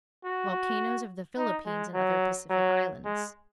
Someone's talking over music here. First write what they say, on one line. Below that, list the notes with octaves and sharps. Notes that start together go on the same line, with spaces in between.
Volcanoes of the Philippines and Other Pacific Islands.
F#4
D#4
G#3
F#3
F#3
G#3